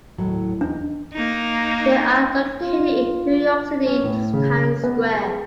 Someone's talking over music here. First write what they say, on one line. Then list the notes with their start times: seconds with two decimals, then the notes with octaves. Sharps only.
They are located in New York City's Time Square.
0.18 D#2 A2 F#3
0.61 E2 D4 D#4
1.13 A#3 D#4
2.60 F4
3.86 C#4
4.03 A2
4.33 C#3
4.84 B3
5.15 G#4